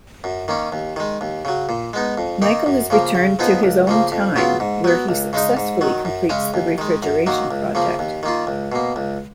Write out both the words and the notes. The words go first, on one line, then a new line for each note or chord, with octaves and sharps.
Michael is returned to his own time, where he successfully completes the refrigeration project.
F#2
D#3 A#3 C#4
D#2
D#3 G#3
D#2
C#3 F#3
A#2
G#3 B3 D#4
F2
D#3 A#3 D#4 A#4
F#2
C#3 F3 A#3
C#3
F3 B3 D#4 G#4
C#2
C#3 F3 A#3
F2
C#3 F#3 B3 F4
G#2
F#3 B3
C#2
C#3 G#3 D#4
G#2
D#3 F#3
F#2
C#3 G#3 C#4
D#2
D#3 G#3
F#2
D#3 F#3 A#3
C#2
C#3 F3 A#3
D#2
D#3 A#3 F4
C#2
B2 A#3
C#2